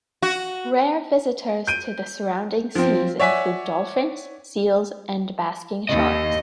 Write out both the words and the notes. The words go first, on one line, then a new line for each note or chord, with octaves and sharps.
Rare visitors to the surrounding seas include dolphins, seals and basking sharks.
F#4
G6 D7 D#7
F3 C4
C#5 D5 E5 F#5 G#5 B6
D#2 D#5